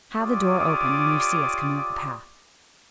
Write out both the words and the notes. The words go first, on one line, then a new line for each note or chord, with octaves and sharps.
"Have the door open when you see us coming up the path."
F4 G4 C#5 D5 D6 D#6